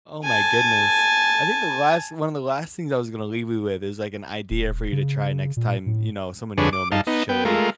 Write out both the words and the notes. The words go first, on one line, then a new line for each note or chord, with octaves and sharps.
Oh my goodness. I think the last one of the last things I was gonna leave you with is, like, an idea for you to try next time, you know, someone you know makes chili,
G#5 A5
D#1
C#3
A#2
A2
F2 D3 D4 G#4 B4 C#5
D6
G2 D#4 F5 A5
B3 D#4
B3 G5
G#3 A3 F4 A#4